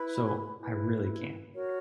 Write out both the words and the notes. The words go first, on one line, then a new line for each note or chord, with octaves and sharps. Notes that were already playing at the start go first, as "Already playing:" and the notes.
So, I really can't.
Already playing: E4 B4 B5
E4 B4
F#4 A#4 C#5